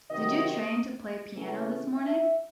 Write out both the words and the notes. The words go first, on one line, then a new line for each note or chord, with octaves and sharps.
Did you train to play piano this morning?
C3 D#3 F#3 D#5
D#5
C#3 E3 A3 C#4
E5